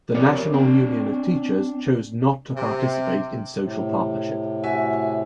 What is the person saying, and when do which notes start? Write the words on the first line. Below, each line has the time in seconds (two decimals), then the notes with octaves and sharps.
The National Union of Teachers chose not to participate in social partnership.
0.14 F3 C4 G4 A#4 C#5 D5
0.54 C4 D4
2.55 C3
3.63 A2 C3
4.64 F#4 E5 G#5